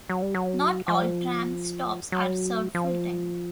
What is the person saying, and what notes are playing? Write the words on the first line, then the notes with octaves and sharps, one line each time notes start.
Not all tram stops are served full-time.
F#3
G3
F#3
F3
F#3
F3